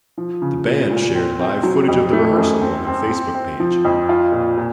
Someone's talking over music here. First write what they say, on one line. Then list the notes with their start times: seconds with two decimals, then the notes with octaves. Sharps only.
The band shared live footage of the rehearsal on their Facebook page.
0.17 F3
0.42 C#3
0.66 A#2
0.90 A#2
1.15 C4
1.40 C4
1.63 F#3
1.88 F2
2.13 A3
2.37 F#2
2.61 C4
2.87 C4
3.10 C4
3.34 C4
3.60 F3
3.85 F2
4.09 F4
4.32 A#2
4.58 A#2